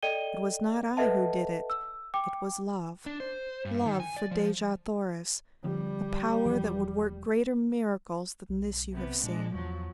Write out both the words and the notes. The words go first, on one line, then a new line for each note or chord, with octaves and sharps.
"It was not I who did it, it was love, love for Dejah Thoris, a power that would work greater miracles than this you have seen."
A4 D5 D#5 G5 D#7 G7
A4 B4 D#5 E5 F#5 A5
E6
G5 D6
D4
C5
G2
D#3
G#5
D5
F3
D3 F3 G3 C4
E1 E3 F3
B1
C3 B3
A#2 G#3 D4
E2 F3 F#3